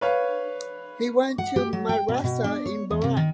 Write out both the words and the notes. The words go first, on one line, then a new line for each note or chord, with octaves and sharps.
He went to madrasa in Berat.
B4 C#5 F5
F#5
G4
F#3
G5
B2
B2
D4
C#5
E2
C3
D#3